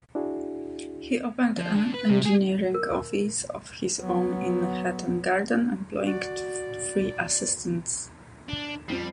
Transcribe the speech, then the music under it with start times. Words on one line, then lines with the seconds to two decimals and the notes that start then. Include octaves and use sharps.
He opened an engineering office of his own in Hatton Garden, employing three assistants.
0.15 D4 E4 F#4 G#4
1.58 F3
1.76 D3
1.94 B4
2.10 C3
2.26 G#4
2.74 A#4
4.00 F#3 B3
6.06 F#4 D5
8.49 D4
8.88 F2 F3 G3 C7